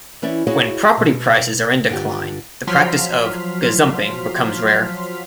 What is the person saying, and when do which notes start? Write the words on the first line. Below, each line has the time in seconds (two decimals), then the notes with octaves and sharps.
When property prices are in decline the practice of gazumping becomes rare.
0.22 E3 C#4 E4 D5 E5
0.47 E4 F#4 G#4 C#5 D#5 F5
0.97 B2
1.89 G2 D3 F4 G4
2.67 F3 F#3 C6 F6 B6